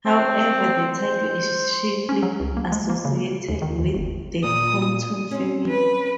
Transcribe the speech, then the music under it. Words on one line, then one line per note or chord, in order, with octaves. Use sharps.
However, the title is chiefly associated with the Compton family.
C4
C5
C#4
F#3
C#2
A#3
G#3
A#3
C#3
D#2
D#3
D#2
G1
A#2 D#6
C4 C#4
B4